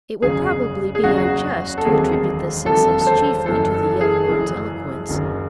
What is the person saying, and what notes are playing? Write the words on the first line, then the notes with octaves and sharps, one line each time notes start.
It would probably be unjust to attribute this success chiefly to the young Lord's eloquence.
F#1 E2 C#3 F#3 G#4
G#4
F#1 E2 C#3 F#3 F#4
A4
E1 D#2 D#3 F#3 C4 G#4
E1 D#2 D#3 F#3 C4 A4
A4
C5
F#1 F#2 E3 A4
A4
G#4
F#1 F#2 E3
F#1 F#2 D#3